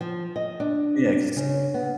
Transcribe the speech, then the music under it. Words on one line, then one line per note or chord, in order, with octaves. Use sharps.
Yeah, 'cause
F3
D#5
D4
C#3
B3